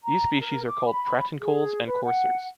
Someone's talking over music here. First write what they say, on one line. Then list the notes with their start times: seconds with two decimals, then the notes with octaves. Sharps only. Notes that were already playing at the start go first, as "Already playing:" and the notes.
These species are called pratincoles and coursers.
0.03 A#5
0.42 A#4
0.66 D6
0.86 B5
1.40 G#4
1.86 B4
2.04 F#5